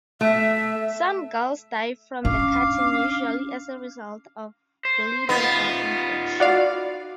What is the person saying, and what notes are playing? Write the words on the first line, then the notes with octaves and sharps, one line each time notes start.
Some girls die from the cutting, usually as a result of bleeding or infection.
A3 E5
C#4 D4 F5 D6
C5
B3 D#4 F4
F#4 D5 F5